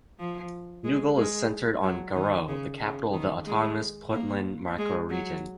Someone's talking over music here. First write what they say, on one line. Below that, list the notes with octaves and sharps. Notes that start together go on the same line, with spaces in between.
Nugal is centered on Garowe, the capital of the autonomous Puntland macro-region.
F3
G#3
G#3
F#3
D#3
C#3
C#3
D#3
G#3
A#3
G#3
F#3